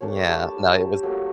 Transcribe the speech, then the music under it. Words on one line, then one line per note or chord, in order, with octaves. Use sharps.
Yeah, no, it was
A3 D4 A#4 C#5
G3 A5
G4
F#3 A3 A#3 G4